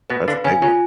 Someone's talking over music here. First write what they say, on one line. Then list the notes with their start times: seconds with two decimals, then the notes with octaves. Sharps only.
That's a big one.
0.10 B2 B3 B4
0.28 D3 D4 F5
0.44 C#3 C#4 G#5
0.62 C#3 C#4 F4